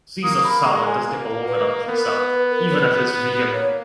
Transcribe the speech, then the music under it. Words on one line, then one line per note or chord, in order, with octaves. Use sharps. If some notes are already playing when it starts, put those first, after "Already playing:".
Caesar salad does not belong on a pizza even it it is vegan.
A#3 D#6
B5
G#3 A#5
G#5
A#3
B4
B3 A#4
B4
B4
A#4
C#5
B4
A#3 C#5